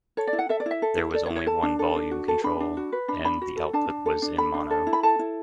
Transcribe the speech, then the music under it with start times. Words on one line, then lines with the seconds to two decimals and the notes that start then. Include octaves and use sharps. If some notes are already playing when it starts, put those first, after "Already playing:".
There was only one volume control, and the output was in mono.
0.17 A4 C#5
0.27 D5
0.33 E4
0.39 F#5
0.49 A4 E5
0.60 D5
0.66 E4 E5
0.82 A4
0.98 E4
1.14 A4 D5
1.26 C#5
1.30 E4
1.36 C#5
1.46 A4 A5
1.63 D4
1.79 A4
1.96 D4
2.11 F#4
2.28 A4
2.44 D4 B5
2.60 D4
2.77 F#4
2.92 B4
3.08 D4 B5
3.25 D4 B5
3.42 F#4
3.57 A4
3.73 D4 A5
3.89 D4
4.06 A4
4.22 D4
4.38 A4 B5
4.54 D4
4.70 A4
4.87 E4
4.93 B5
5.03 A4 A5
5.19 E4